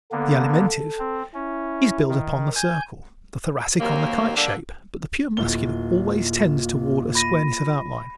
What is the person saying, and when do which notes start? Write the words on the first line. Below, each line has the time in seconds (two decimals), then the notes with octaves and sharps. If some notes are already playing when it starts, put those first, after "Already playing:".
The Alimentive is built upon the circle, the Thoracic on the kite-shape but the pure Muscular always tends toward a squareness of outline.
0.12 D3 A#3 B3 A4
0.99 C4
1.34 C#4 E4
2.09 D#3
2.55 G#5 G6
3.80 D#2 C3 D#3 F#3 A#3
4.37 D3 G3 A#3 D4
5.37 D1 A#3 F4 G7
7.15 B5 A#6 D#7